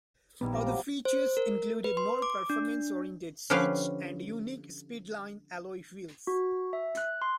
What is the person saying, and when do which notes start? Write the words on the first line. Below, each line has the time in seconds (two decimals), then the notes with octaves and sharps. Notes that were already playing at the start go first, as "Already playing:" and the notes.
Other features included more performance oriented seats and unique Speedline alloy wheels.
0.41 A#1 D#3 G3 B3 E4
0.53 F3 A#5 D6
0.65 C3 F#3
1.05 C5
1.37 A#4
1.84 B4
1.97 C6
2.22 D6
2.50 D4
3.50 D3 F3 C#4 G4 B4 F5
6.27 F#4
6.73 E5
6.97 F#6
7.22 C6